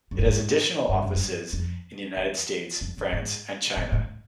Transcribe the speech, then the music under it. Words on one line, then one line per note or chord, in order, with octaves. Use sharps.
It has additional offices in the United States, France, and China.
F#2
G2
G#2
G2
F#2
G2
F2
E2
F2
F#2
G#2
A2
A2